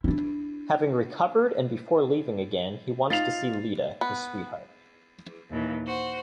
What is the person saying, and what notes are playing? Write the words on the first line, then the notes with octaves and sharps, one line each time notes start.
Having recovered and before leaving again, he wants to see Lida, his sweetheart.
D4 E4
D#4 F4 A6 C7 F7
B3
D#2 A#2 E3
F#4 C5